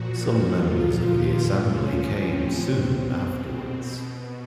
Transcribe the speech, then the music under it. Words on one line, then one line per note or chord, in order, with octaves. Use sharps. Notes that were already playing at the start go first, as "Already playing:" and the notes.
Some members of the Assembly came soon afterwards.
Already playing: A#2 F3 F#4
A#2 F3 F4
A2 F3 C#4
C4
B2 C4
B2